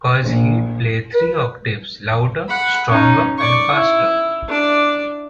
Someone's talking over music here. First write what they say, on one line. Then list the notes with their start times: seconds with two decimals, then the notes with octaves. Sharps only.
Cause he'd play three octaves, louder, stronger and faster.
0.22 A#1
1.14 B4
2.48 F#5 B5
2.89 C#4 D#4
3.37 D5 C#6
3.72 E4
4.48 D4 D5